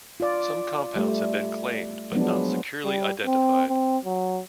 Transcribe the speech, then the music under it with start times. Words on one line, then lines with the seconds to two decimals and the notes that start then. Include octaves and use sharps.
Some compounds have been claimed but not securely identified.
0.20 F4 D5
0.96 G3 A3
2.12 F3 F#3 G#3 B3 D4
2.84 G3
3.26 C4
3.69 C4
4.05 F#3